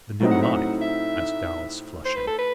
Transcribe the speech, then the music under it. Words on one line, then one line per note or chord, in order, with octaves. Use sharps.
"The new life?" asked Alice, flushing.
A2 F#3 C4 D#4
F#5
E5
F#5
E5
C5
B4
A4
B4